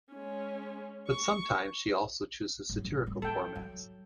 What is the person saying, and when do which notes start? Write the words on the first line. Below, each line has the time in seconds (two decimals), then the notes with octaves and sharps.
But sometimes she also chooses satirical formats.
0.12 G#3 C#4
1.08 C#6
2.69 G#2 F#3
2.84 A1
3.07 A2 G3
3.22 E4 A4 G5
3.55 F#3